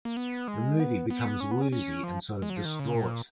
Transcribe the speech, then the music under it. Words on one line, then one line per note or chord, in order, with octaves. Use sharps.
The movie becomes woozy and sort of distraught.
A#3
B3
G#3
B3
B3
C#4
B3
C#4
C#4
F3
G#3
F#3
F3
D#3
C#3
A#2